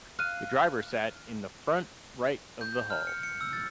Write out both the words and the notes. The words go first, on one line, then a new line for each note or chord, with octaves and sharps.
The driver sat in the front right of the hull.
F5 F6 F#6 D#7
G6
G6
F6
C#7
C#7
E6
A6